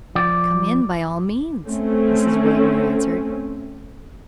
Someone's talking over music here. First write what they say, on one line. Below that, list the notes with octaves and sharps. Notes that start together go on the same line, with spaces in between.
"Come in by all means," Mrs. Wagner answered.
F3 D5
A3 C4 C#4